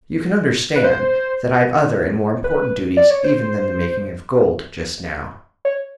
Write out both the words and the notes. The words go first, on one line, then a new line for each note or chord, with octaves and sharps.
You can understand that I have other and more important duties even than the making of gold, just now.
B4
C5
B4
D5
C#5
C5
C#5